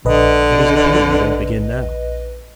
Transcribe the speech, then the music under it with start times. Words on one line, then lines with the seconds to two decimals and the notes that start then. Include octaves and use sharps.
'It is a pity you don't begin now.
0.05 A#1 D3 B4 D#5